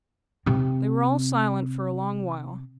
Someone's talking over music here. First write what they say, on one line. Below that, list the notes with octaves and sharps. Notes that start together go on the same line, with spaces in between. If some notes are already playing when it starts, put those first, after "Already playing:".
They were all silent for a long while.
C3 C4